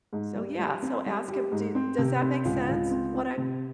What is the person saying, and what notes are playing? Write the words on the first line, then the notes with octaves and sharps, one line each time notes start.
So, yeah, so ask him, do Does that make sense, what I'm
G#2
G3
G3
C4
G3
G4
G#2
C4
C3
C4
C#2
C#2
C4
C4
C3